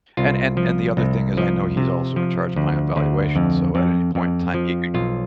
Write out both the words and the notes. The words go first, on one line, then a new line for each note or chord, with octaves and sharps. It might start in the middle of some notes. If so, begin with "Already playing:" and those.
And and and the other thing is I know he's also in charge of my evaluation, so at any point in time, he could
C2 F4
F3
C2
F3
C3
F3
D2
D2
F2
F2
F2
F3
B1 F4